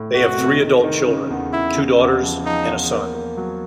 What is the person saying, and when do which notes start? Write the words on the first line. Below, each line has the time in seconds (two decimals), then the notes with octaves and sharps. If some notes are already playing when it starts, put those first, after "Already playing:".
They have three adult children: two daughters and a son.
Already playing: A2
0.14 F1 F#4
0.38 C3
0.61 D#3
0.84 D#3
1.07 C#3
1.30 E2
1.52 C#3 E4
1.76 C#3
1.99 E2
2.22 F3
2.45 F3 D#4
2.68 E2
2.91 A#3
3.14 A#3
3.37 F#3